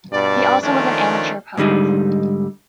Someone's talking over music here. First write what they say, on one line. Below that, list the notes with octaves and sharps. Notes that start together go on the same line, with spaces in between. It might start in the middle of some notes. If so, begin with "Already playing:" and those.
He also was an amateur poet.
G2 B2 D5
D#3 F3 A3 C#4 D4
G#2 D3 G3 D#4